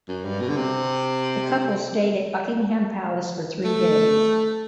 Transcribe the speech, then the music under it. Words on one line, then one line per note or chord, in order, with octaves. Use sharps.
The couple stayed at Buckingham Palace for three days.
F#2
G2
B2
D3
C3
A3